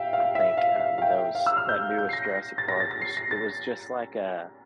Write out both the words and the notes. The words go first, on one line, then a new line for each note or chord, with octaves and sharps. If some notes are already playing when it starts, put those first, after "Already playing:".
I think, um, those that newest Jurassic Park, was it was just like a
Already playing: E5 F5 G5
F5
E5
F5
F5
F5
G5
F5
E6
F6
G6
G6
C7
A#6
A#6
A6
A#6
A6
A#6
C7
A#6
A6